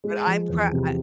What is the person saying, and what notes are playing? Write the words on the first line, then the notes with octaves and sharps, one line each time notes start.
But I'm prou I
G#3
F3
E2
C3